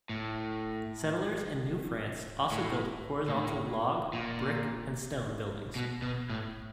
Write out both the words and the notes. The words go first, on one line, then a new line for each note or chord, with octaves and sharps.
Settlers in New France also built horizontal log, brick, and stone buildings.
A2
A2
A#2
A2
A#2
B2
B2
A2